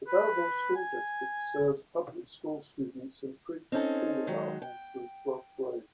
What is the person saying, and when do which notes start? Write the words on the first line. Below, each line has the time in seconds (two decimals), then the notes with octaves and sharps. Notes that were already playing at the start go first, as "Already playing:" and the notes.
The Belleville School District serves public school students in pre-kindergarten through twelfth grade.
0.07 B4
0.76 G#5
3.72 C4 C#4 D#4 A4
4.27 D#3 F#3 G#3
4.62 G5